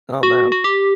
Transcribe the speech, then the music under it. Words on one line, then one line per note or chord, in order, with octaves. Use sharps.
Oh man.
F#4
F#4
G4